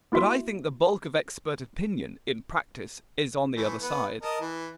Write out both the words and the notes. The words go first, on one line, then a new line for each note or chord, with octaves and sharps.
But I think the bulk of expert opinion, in practice, is on the other side.
A#3 E4 F#4 E5 C6
E3 A3
B3
A#4 D#5 A5
E3